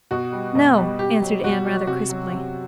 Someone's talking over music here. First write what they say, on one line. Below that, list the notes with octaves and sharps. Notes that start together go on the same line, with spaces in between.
"No," answered Anne, rather crisply.
B2 F#4
G3
B2
G3
B2 G4
F#3
B2 F#4
F#3
C3 F#4
F#3
C3